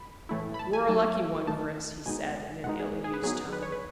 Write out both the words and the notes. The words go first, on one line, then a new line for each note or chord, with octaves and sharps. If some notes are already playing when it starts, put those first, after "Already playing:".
"You are a lucky one, Chris," he said, in an ill-used tone.
Already playing: B5
A2 E3 A3 E4
B5
A5
G#5
F#3 A3 D#4 A5
D#3 A3 D#4 A5
B2 G#3 B3 D#4 G#5
B2 G#3 D#4 F#5
G#4
G#4
B4
F#3 B3 D#4 G#4
B4
C#5
B4